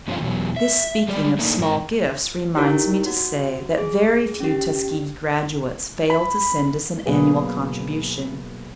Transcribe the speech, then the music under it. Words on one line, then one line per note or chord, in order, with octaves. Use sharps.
This speaking of small gifts reminds me to say that very few Tuskegee graduates fail to send us an annual contribution.
G2 C3 F3 C#4 D#4 F4
E2 B2 F#3
E5
G3 G#3 D5
A3 A#3 D4 D#4
G#2 A#4
D#4 E4 G4 A#4 C#5
F#4
G#4
C#4 G4
B5
B2 F#3 A#3 G#4 B4